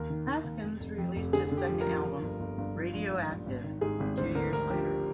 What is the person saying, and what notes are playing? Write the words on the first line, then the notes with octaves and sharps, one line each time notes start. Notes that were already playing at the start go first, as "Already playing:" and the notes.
Haskins released his second album, "Radio Active", two years later.
Already playing: D#2 A#4
D#3
D#3
D#2
F1
F1
F2
F1
D3 G#4
D3
G4
F3
A#4
F3
F3
G1
G1
G1
F3
A#1
G#2
A#1
G#1
D#3
G#2 G#4
G#1
D2 C5
D3 A#4
D2 A#4
F3 G4